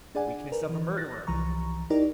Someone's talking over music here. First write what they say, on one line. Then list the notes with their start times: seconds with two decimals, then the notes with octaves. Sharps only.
"The weakness of a murderer!"
0.15 D4 G#4 D5 F#5 G#5
0.52 A#4 B4
0.69 E3
0.97 F#6 A6 A#6
1.27 C2 E3 F3 A#5 C#6
1.90 D#4 E4 G4 A#4 D5